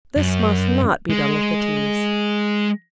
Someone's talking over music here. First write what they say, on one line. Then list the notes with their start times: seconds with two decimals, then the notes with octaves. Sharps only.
This must not be done with the Teas.
0.17 F#2
1.10 G#3